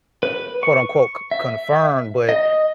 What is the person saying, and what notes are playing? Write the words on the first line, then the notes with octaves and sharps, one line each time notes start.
quote, unquote, "c confirmed," but
B4
C#6
E5
D#5